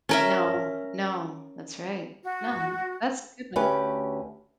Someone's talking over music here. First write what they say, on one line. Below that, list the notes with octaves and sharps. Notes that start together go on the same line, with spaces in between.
No, no, that's right. No, that's a good one.
C#4 A#4 E5
F#4
D2 C#4 G4 B4